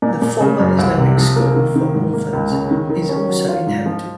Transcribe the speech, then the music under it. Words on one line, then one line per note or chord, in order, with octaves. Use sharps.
The former Islamic school for orphans is also inhabited.
A#2
A#2
C#3
F#2
C2
C3
F3
A#3
D#3
D#3
G#2
A#3
C#2
C#3
D#3
D#3
C#4
F#3
F4
G#2
F3